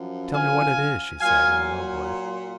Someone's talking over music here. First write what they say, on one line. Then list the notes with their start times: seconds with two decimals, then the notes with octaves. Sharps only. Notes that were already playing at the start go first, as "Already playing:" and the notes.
'Tell me what it is,' she said, in a low voice.
Already playing: F#2 F3
0.35 F5 G#5
1.20 A#2 F#3 F5 G#5